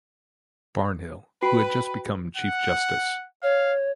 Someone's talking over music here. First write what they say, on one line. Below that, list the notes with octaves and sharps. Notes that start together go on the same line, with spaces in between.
Barnhill, who had just become Chief Justice.
F#4 B4 G5 B5 D7
F#5
C#5 F5